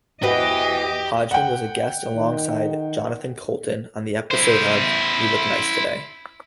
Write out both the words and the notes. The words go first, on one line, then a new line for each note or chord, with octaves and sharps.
Hodgman was a guest alongside Jonathan Coulton on episodes of "You Look Nice Today".
E2 E3 F#4 G4 B4 D#5
F#5 G5
D#3
E4 C5